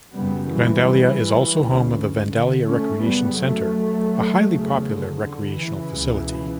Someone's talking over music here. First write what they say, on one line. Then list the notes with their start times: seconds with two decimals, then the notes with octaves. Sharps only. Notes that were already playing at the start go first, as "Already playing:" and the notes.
Vandalia also is home of the Vandalia Recreation Center, a highly popular recreational facility.
0.13 F#2 C#3 G3 B3
0.50 E3 G3
1.59 D2 C#3
2.31 D3
2.67 A3 C#4
3.03 F#2 C#3 G3 B3
3.40 F#3 A3
4.49 E2 C#3
4.84 D3
5.20 D3
5.57 C#3 E3
5.93 C#2 B2